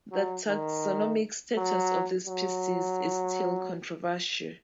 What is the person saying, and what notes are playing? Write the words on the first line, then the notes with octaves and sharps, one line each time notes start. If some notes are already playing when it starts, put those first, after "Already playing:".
The taxonomic status of this species is still controversial.
F#3
D#3
F#3
F#3